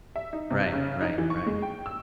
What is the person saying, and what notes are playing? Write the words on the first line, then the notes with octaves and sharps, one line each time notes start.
Right, right, right.
E5
D#4
C3
C#3
D#4
E3
C#6
G#3
G5
E6